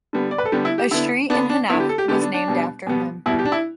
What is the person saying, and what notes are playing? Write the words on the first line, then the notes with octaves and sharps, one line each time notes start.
A street in Hennef was named after him.
D3 G3 B3
D5
B4
A4
D3 G3 B3 G4
E4
G4
D3 B3 E4
D3 B3 D4
D4
D3 B3 E4
G4
A4
G4
D3 B3 G4
D4
D4
B2 G3 B3
B2 G3 B3
B2 G3 B3 E4
G4
D4
E4